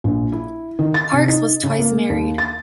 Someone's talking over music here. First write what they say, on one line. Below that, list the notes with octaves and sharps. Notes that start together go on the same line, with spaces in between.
Parkes was twice married.
A#1
E4
D#3
A6
C3
D#4
C#3
A#3
D#2
A6